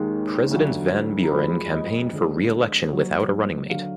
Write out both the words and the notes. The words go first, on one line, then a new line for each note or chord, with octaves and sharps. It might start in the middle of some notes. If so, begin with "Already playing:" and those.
President Van Buren campaigned for re-election without a running mate.
Already playing: D#2 D#3 G#3
D2 D3 F#3
A#5
F2 F3 G#3 B5
D#5
D2 D3 G#3
D#2 D#3 F#3
D3 F#3 F5